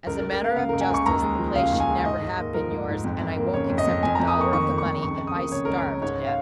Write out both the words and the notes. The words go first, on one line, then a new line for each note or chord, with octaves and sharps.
"As a matter of justice, the place should never have been yours, and I won't accept a dollar of the money if I starve to death!"
C#2 A#4
A#4
C#2
A#4
A#3 F5
C#3 F5
A#4
C#2
G#5
C#2 C#6
D#2 A#5
G#3
F3
C#3 F5
D#2
G#5
G#3
G#2 D#5
G#2
A#3
F3 A#4
G#2
G#2
F2
F2
A#3
C#3 C#5
F2
D#5
F2
F2 G#5
A#5
F2
D#6
A#3 C#6
D#3 C#6
F2
C#6
F2
C#2 C#6
C#2
D#6
A#3
C#3 C#5
C#2 A#4
C#5
C#2
G#2 C#5
F5